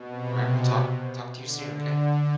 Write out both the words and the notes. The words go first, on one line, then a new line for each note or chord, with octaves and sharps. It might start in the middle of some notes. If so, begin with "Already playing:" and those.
Alright, well talk talk to you soon, okay?
Already playing: B2
C3
D3